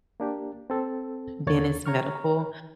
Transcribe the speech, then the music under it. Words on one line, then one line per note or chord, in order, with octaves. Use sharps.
Dennis Medical,
A#3 D4 G4
C4 A4
D#2 D3 A#3 C#5 A6
C#5 A#5 C#6 F6